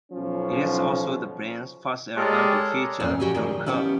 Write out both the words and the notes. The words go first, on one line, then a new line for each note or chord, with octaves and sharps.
It is also the band's first album to feature Don Kerr.
B1 F3 C#4
G#3 G4 A4 A#4 C#5 D5
F2 A#2 C4 C#4
F#4 G4 D#5 G#5
A#2 D#3 F3 G3 G#3
F3 B3 C#4 E4 G4